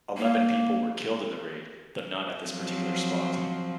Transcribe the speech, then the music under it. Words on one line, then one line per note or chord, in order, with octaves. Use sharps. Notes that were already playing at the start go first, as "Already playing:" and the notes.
Eleven people were killed in the raid, though none at this particular spot.
A#3
F3 F#3 C4